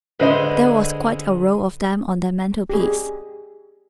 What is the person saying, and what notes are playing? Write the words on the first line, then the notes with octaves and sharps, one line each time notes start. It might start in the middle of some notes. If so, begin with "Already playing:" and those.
There was quite a row of them on the mantel-piece.
D3 G#3 B4 C5 D#5
G4 G#4